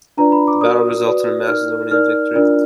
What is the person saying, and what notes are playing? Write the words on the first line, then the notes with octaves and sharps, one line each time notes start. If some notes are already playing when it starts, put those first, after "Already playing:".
The battle resulted in a Macedonian victory.
D4 F4 B4 D5 A#5
B5
D6
F#4 A#4 D5 D#6
F#4 B4 D5
D#4 A#4 D5 F6
D#4 A#4 D5 F6
D4 F4 A#4 D5